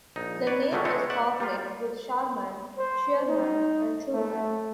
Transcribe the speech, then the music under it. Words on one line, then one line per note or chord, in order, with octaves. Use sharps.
The name is cognate with Sharman, Shearman and Shurman.
A#1 D#4
B4 C#5 D5
C#2 D3 D#3 F#3 A3 C#4
G#3 A3 C4 A4 C#5
D5 E5 F#5
G3 F4
C5
D#4
A3